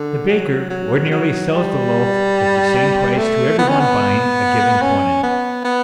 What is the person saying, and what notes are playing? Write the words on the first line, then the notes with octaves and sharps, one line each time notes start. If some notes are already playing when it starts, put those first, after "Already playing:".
The baker ordinarily sells the loaf at the same price to every one buying a given quantity.
Already playing: D3
F#3
F#3
F#3
G3
A3
B3
C#4
B3
C#4
B3
B3